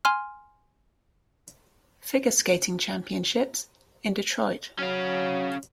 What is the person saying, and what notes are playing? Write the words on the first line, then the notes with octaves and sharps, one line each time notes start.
Figure Skating Championships in Detroit.
G#5 C6 F6
F#3 C#4 F5